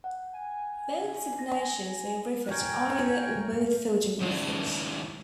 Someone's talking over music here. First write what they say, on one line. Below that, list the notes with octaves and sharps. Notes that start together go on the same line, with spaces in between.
Both signatures may refer to either or both photographers.
F#5
G#5
A#6
A#4 C#5 G5 G#5
D#3 G#3 C#4 D4 E4